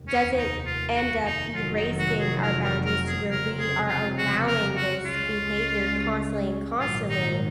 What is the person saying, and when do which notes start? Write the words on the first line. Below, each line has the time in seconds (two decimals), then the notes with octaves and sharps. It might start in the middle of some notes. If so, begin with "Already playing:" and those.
doesn't end up erasing our boundaries to where we are allowing this behavior constantly and constantly
Already playing: F1 D#2 D#3
0.08 C#4
0.37 D#4
0.66 F4
0.96 F#4
1.26 D#4
1.54 F1 F2 D#3 F#3 F4
1.76 D#4
1.99 F#4
2.20 G#4
2.42 A#4
2.64 A#4
2.85 A#4
3.08 G#4
3.29 F1 F2 C#3 F#3 C4 A#4
3.59 G#4
3.87 F4
4.18 F#4
4.47 A#4
4.76 F#4
5.05 C#2 C#3 G#3 C#4 F4
6.80 A#1 G#2 D#3 F#3 F4
7.10 D#4